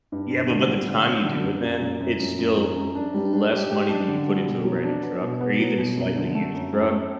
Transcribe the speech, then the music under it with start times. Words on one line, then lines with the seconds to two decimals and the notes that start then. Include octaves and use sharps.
Yeah. But by the time you do it, man, it's still less money than you put into a brand new truck or even a slightly used truck.
0.12 G2
0.30 G2
0.49 D3
0.68 G3
0.87 D3
1.06 C#4
1.25 D3
1.44 F#2
1.63 F#2
1.81 F#2
2.00 F#2
2.19 F#2
2.39 F#2
2.57 F#2
2.76 F#2
2.95 D4
3.14 G3
3.33 D4
3.51 G4
3.71 G4
3.89 D4
4.08 D3
4.27 G3
4.46 B2
4.65 F#3
4.84 D4
5.03 B3
5.21 B2
5.41 B3
5.59 F#3
5.78 B2
5.97 F#2
6.16 D3
6.35 A3
6.54 F#2
6.73 F#2
6.92 A3